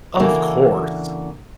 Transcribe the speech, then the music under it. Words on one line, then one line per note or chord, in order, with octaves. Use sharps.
Of course.
C#3 E3 A#3 D4 F#4 A4